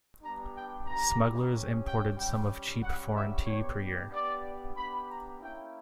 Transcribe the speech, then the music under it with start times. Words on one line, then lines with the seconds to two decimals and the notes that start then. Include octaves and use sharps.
Smugglers imported some of cheap foreign tea per year.
0.22 G3 B3 D4 G4 A#5
0.54 G5
0.86 B3 D4 G4 A#5
1.52 C#4 G4
1.84 G5
2.16 G3 C#4 G4 G5
2.81 G3 C#4 F#4 F#5
3.13 E5
3.45 B3 D4 G4 C#5
4.10 B3 D4 G4 D5
4.75 B3 D4 G4 B5
5.08 A#5
5.40 A#3 C#4 E4 G5